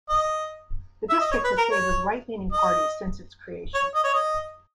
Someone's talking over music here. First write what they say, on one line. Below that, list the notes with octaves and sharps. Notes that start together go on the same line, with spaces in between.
The district has favoured right leaning parties since its creation.
D#5
E5
D#5
C#5
B4
A#4
C#5
D#5
C#5
D#5
C#5
D#5